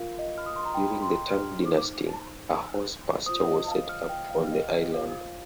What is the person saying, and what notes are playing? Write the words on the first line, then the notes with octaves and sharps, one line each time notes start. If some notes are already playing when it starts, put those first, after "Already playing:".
During the Tang Dynasty, a horse pasture was set up on the island.
Already playing: F4 A#4 F5
D#5
F6
D#6
C6
A#5
G5
C6
F6
D#4 C5
F4 C5 D#6
D#5
F5
F6
G5
F5
D#5
D#5
F4 C5 F5